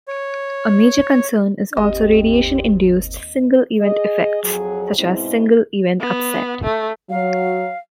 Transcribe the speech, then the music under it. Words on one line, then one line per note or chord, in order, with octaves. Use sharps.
A major concern is also radiation-induced "single-event effects" such as single event upset.
C#5
G1 D#2 C4 G4 D#5
G#4 D#5
F2 F#3 G#4
G#2 B2 G#3 C4 E4
B3
A3
F#3 F5